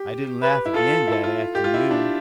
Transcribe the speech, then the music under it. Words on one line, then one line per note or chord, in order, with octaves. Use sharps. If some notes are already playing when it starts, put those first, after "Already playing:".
I didn't laugh again that afternoon.
Already playing: G4
B4
E4
F4 A4
E4
F4
G4
F4
E4
D4